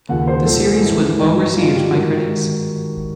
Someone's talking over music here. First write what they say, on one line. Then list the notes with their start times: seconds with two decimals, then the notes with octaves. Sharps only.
The series was well received by critics.
0.09 D#2 C#3 F3 F#5
0.28 C5
0.45 C2 A#2 F3 A4
0.64 G#4
0.82 G#2 E3 E4
1.19 G2 E3 D#4
1.38 D#4
1.56 G2 D3 F3 F4
1.66 F#4
1.75 G4
1.84 F#4
1.93 G#2 D#3